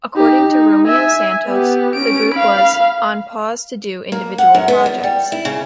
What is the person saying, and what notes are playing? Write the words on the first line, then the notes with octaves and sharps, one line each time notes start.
According to Romeo Santos, the group was "on pause to do individual projects".
D#4 G4
D#4
E5 G#5
B3 G4
C#4 D7
F5 B5
A#3
F#5
F#2
B3
E2
G3
E4
C#3